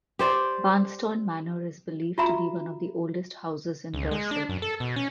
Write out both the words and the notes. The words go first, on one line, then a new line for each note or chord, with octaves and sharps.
Barnston Manor is believed to be one of the oldest houses in Dorset.
G4 C5 D5
F4 F#4 E5 A#5 B5
C#2
G#3
D4
F#2
A4
B2
C#4